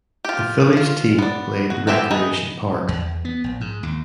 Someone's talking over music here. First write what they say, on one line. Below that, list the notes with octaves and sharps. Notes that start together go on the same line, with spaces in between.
The Phillies team played at Recreation Park.
F4 G4
F4
B3 D5
F#4
B3 C4 G4 E5 G#5
D#4 G#4 B4
E2
B3
A#1
G#2
D#2